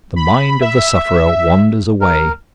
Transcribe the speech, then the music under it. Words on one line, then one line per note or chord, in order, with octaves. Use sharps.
The mind of the sufferer wanders away.
B5
E5
A#4